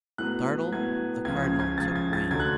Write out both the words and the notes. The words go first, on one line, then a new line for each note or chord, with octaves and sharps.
Startled, the Cardinal took wing.
A2 F#3 B3 F#6
A2 F#3 B3 G#6
C#2 C#3 F3 G#6
G#6
G#6
C#2 C#3 F3 A6
G#6
A6
D2 D3 F#3 G#6
F#6